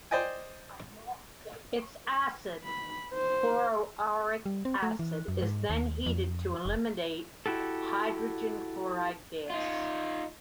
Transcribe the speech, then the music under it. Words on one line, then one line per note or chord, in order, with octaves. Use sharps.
Its acid, chloroauric acid, is then heated to eliminate hydrogen chloride gas.
C5 D5 D#5 G5 G#5
B5
C5
G3
C4
A3
E3
F#2
G#2
D#2
F2
F1
E4 F#4 G4 A4
D#4 F4